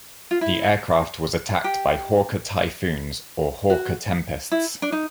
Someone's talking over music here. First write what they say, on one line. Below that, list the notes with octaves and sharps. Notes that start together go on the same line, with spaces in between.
The aircraft was attacked by Hawker Typhoons, or Hawker Tempests.
F4
E4
G4
F#4
E4
D4
D#4